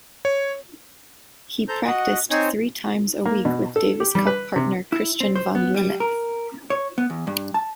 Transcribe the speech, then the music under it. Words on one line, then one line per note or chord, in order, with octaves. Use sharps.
He practised three times a week with Davis Cup partner Christiaan van Lennep.
C#5
A4 C5 A#5 G6
F#4 D#5 F#5
C4 D#4 C5 C#5 G#5
A#3
B2
A4
G4
G3
B4
C3
E4
C4
C5
B3
G3
A#4
C#5
B3
E2
G2
A5